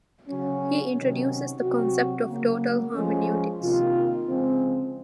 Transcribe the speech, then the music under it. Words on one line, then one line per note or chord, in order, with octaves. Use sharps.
He introduces the concept of 'total hermeneutics'.
C#3 F#3 C#4
C3 D#3 F#3 C#4
C3 F#3 C4 F#4
C#3 F#3 A#3
F3 G#3 C#4
C3 D#3 A#3 F4
C#3 F3 G#3 C4